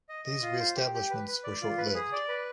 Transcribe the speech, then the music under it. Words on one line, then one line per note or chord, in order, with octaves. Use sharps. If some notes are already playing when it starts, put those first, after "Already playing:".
These re-establishments were short lived.
D#5
D#5
F4
C5
G4
G4
B4
B4
D5
F4
B4
G#4
D5
B4